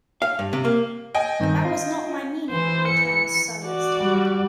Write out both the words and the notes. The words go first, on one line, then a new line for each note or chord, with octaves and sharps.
"That was not my meaning," returns Sir Leicester.
F5
G2
C3
A#3
D#5 G5 G#5
G2 D#3 C4
F4
E3 C5
C#7
F#4 D5
G3